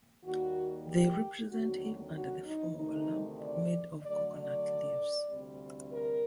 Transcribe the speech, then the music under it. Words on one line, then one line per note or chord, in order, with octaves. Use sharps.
They represent him under the form of a lamp made of coconut leaves.
D#2 D#3 G3 A#3 F#4
G4
D#2 D3 F#3 C4 F#4
F#4
D#4
D2 C3 D#3 A3 D#4
D5
D3 F#3 A3 D5
D5
D2 C3 G3 C4
A#4